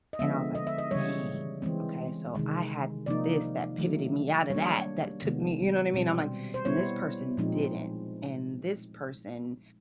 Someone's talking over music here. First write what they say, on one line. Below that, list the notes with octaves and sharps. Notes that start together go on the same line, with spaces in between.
and I was like, "Dang. Okay, so I had this that pivoted me out of that, that took me" you know what I mean? I'm like, "And this person didn't, and this person"
D#5
D3 F3 G#3 B3 E5
D#5
E5
D#5
C#3 E3 G3 C#5
E3 G#3 C4
C3 D#3 G#3
C3 F3 A#3 D#4 D5
D#3 F#3 A3
G3 A#3 D4 C#5
C3 D#3 G#3 B3
B2 G3 C4
C5
G3 B3 E4 C#5
A#2 F3 G#3 C4 D#4